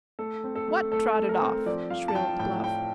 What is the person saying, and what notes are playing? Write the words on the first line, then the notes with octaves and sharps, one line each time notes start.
"What trotted off?" shrilled Bluff.
A3 A4
C4
A4
A3
A3 A4
A3
A#4
C4
F3 D5
F3 F5
A5
F3 G5
A2 G5
F3 G5